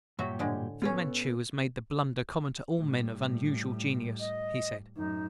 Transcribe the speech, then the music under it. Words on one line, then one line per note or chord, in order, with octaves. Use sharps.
"Fu-Manchu has made the blunder common to all men of unusual genius," he said.
G2 A#2 F#3 F#4 G4 E5
A2 D3 G#3
B3 C#4 F4 A4 B4
A2 G3
D#5
F#2 A2 D#4